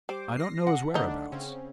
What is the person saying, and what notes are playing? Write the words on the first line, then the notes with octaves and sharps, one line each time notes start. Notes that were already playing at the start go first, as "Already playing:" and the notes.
I don't know his whereabouts.
G3 C5 D6
A#6 C7
F#5
D3 A3 D4 D#4
C#3 C4 C#4